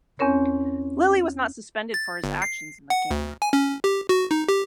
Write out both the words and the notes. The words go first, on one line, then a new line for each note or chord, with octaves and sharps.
Lilly was not suspended for his actions in the game.
E2 C4 C#4 A#4 C#5
A6
G1
C7
F#5
D2
G#5
C#4
G4
F#4
D#4
G4